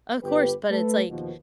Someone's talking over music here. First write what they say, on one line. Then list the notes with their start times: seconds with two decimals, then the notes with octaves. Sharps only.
Of course, but it's like,
0.22 G1 G4 B4
0.70 A3 A4 B4
1.09 D#2 B2 F3